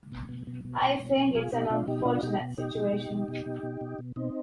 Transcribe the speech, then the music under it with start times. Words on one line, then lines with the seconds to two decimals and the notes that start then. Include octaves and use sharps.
I think it’s an unfortunate situation.
0.12 B2
0.29 B2
0.47 B2
0.65 B2
0.82 B2
1.00 B2
1.17 B2
1.35 B2 F4 G#4
1.52 B2 D#4 G4
1.70 B2 D4 F4
1.88 B2 D#4 G4
2.05 B2 D4 F4
2.23 B2 D#4 G4
2.40 B2
2.58 B2 D#4 G4
2.75 B2
2.93 B2
3.11 B2
3.28 B2
3.46 B2
3.63 B2
3.81 B2
3.99 B2
4.16 B2 C4 D#4